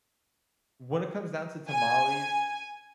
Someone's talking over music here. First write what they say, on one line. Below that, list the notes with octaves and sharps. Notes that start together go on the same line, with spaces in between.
When it comes down to tamales,
G#5